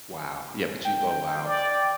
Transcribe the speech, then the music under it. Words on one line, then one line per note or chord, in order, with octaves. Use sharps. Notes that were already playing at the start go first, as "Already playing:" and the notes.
wow. Yeah, but you oh, wow.
G5
D5